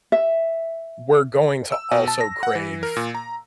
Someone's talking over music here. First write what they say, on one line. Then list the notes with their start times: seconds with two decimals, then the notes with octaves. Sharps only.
we're going to also crave
0.12 E5
1.72 E6
1.91 B2
2.08 A5
2.21 A#6
2.43 F#5
2.55 E3
2.83 A#4
2.96 A#2
3.15 A#5